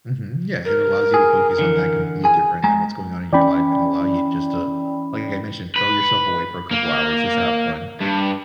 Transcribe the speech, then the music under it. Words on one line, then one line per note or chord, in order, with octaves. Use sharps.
Mhm, yeah, it allows you to focus on that complete different than what's going on in your life and allow you just to, like, I mentioned, throw yourself away for a couple hours just to have fun.
A#4
G#4
D3 E3
G#4 G#5
G#3 G#5 A#5
E3 C#4 D5 G5 B5
B4
A#3
G2